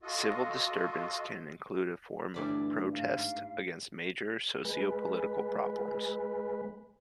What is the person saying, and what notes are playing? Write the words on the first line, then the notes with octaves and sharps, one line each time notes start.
Civil disturbance can include a form of protest against major socio-political problems.
F4 F#4 A4 D#5
G2 D3 E3 A3 D5 B5
G#2 F5
G#3 B4